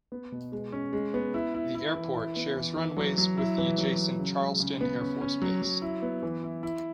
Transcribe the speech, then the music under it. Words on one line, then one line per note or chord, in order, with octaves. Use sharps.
The airport shares runways with the adjacent Charleston Air Force Base.
B3
B2
G#3
C#4
G#3
B3
E4
E4
E4
E3
E4
B3
E3
E3
F#3
F#3
E4
E3
F#3
F#3
C#3
G#3
C#3
B3
C#4
C#4
F#3
F#3
E4
B3
E3
E4
E4